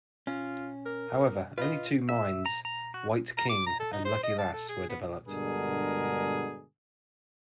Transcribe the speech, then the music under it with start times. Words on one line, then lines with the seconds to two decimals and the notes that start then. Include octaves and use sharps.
However, only two mines, "White King" and "Lucky Lass", were developed.
0.27 C#4 F4
0.86 A#4
1.58 F4 B4 D#5
2.09 E5
2.46 A#5
2.65 A#5
2.94 F#4
3.37 A#5
3.50 D6
3.67 A#5
3.80 A4
3.92 D#4
4.05 C5
4.23 D#5
4.39 A5
4.53 A4
4.69 G#4
4.89 B3
5.27 G2 B2 D3 G#3 G#4 A#4